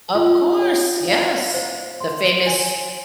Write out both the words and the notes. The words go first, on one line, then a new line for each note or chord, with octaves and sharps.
Of course, yes. The famous
F4
C#5
F5
C5
C6
G#5